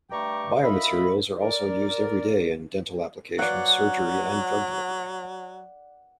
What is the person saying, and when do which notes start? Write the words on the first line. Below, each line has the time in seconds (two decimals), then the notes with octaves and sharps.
Biomaterials are also used every day in dental applications, surgery, and drug delivery.
0.11 G2 A3 G5 A#5 C#6 D6
0.62 F4 A#4 D#5 E5 B5
1.41 A#4 D5
3.39 F#3 D5 F#5